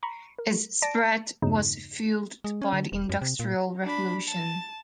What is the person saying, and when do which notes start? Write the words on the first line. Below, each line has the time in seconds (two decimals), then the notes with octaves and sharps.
Its spread was fueled by the Industrial Revolution.
0.03 A#5 B5 C#6
0.39 A#4
0.82 D5 A5 A6 A#6 D7
1.42 E2 G2 C#3 F#3 D#4
2.44 G#3
2.62 C#4
2.73 D3
2.92 E1
3.09 F#2
3.22 C3
3.39 A#2
3.84 D4 B5
4.28 A5